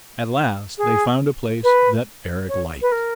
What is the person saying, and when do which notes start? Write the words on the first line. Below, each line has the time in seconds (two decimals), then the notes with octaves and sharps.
At last they found a place that Eric liked.
0.77 G#4
1.63 B4
2.48 C#5
2.81 B4
2.92 A#4